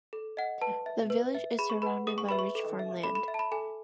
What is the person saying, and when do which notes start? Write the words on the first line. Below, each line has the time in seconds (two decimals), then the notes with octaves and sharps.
The village is surrounded by rich farmland.
0.13 A4
0.37 D#5 F#5
0.61 B4 A5
0.86 E5
1.10 B4
1.35 E5
1.59 G#4 B5
1.70 C#6
1.82 B4 F#5 B5
2.07 G#4 D#6
2.18 C#6
2.29 B4 E5 B5
2.39 C#6
2.55 A4
2.79 E5
3.04 A4 B5
3.15 B5
3.28 E5
3.34 A5
3.39 B5
3.52 A4 G#5